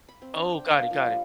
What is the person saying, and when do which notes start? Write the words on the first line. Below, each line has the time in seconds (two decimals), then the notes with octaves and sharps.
Oh, got it, got it.
0.09 B5
0.22 C4
0.36 D4
0.53 G5
0.66 A#3
0.79 D4
0.91 F3
1.09 G3